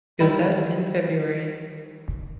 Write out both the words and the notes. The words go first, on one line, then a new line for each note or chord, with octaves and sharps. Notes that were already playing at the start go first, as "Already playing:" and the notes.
Gazette in February.
D#3 G3 E4